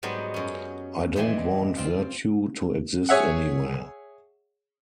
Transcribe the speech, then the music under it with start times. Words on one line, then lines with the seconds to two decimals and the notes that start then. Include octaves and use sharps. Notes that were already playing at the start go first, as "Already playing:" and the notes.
I don't want virtue to exist anywhere.
0.03 G#2 F#3 G3 B3 D#4
0.34 F#2 C#4
1.16 A#2 D#3 E3 D4 G#5 C6
1.77 C4 F4
3.09 G#4 C#5 E5 F#5